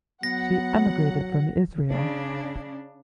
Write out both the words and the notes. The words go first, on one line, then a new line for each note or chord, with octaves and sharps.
She emigrated from Israel.
F#3 B3 F#5 A#6
C#3 D4